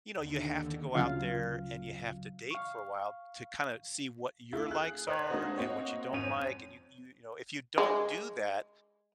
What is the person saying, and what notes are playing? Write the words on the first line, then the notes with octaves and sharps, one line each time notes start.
you know, you have to go out there and you have to date for a while to kinda see what your likes are and what you don't like, and you you you know, if you don't do that,
D#2 D3
D2 C#3 F#3 F4 F5
F5 C#6
A3 E4 F4
G#4 F#6
B4 C5 D5 A#5 F#6 G#6
G#3 A#3 D4 D#4 F#4 C5
A#3 C4 F#4 C#5 D#5
G#1 F2 C#4 C#5 D#7 F7
G#3